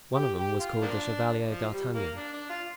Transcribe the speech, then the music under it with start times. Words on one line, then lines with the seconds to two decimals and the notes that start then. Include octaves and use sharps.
"One of them was called the Chevalier d'Artagnan."
0.15 G4
0.38 G4
0.60 F4
0.82 F3 A#3 D4
1.49 F3
1.72 G3
1.94 A#3
2.16 D4
2.33 D4
2.50 F4